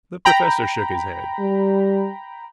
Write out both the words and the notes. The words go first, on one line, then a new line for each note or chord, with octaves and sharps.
The professor shook his head.
G5 A#5 B5
G3